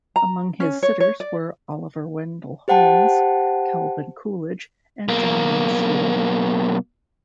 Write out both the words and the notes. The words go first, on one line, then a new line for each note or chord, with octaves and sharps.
Among his sitters were Oliver Wendell Holmes, Calvin Coolidge, and John Masefield.
A#5
C#4
C#5
C#5
D5
G4 C5 F#5 G5 A5
B1 A#3